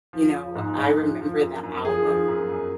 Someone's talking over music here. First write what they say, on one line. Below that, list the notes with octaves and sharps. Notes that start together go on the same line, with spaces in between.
You know, I remember that album,
F3
F3
G#2
G#2
F3
F3
F#2
F#2
F3 G#4
F3
F#2
F#2